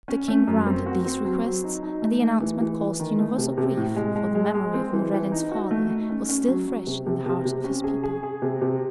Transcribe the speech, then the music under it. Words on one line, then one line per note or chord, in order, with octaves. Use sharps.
The king granted these requests, and the announcement caused universal grief, for the memory of Noureddin's father was still fresh in the hearts of his people.
C#4
A3
F#2
C4
F#4
C4
F#3
F#3
D#4
D#4
A3
A3
E3
E3
E3
D#3
A3
C3
C3
A2
G#3
G#3
G#3
G#3
C4
E3
E3
D#4
F#4
A3
D#4
C#4
C#4
F#3
F#3
C3
C3
C3
C3
C#4
G#4
G#4
G#4
C3
C3